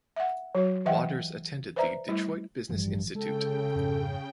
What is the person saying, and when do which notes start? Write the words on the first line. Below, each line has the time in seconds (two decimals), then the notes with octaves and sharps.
Waters attended the Detroit Business Institute.
0.16 E5 F#5
0.55 F#3 F#4 C#5
0.86 E3 D#5 E5 F#5 G5
1.76 B4 C5 D5 E5 A#5
2.08 G3 A3 E4
2.69 A1 G2 E3 F3
3.15 C#3 G#3 A4 G5
3.75 F2 G#2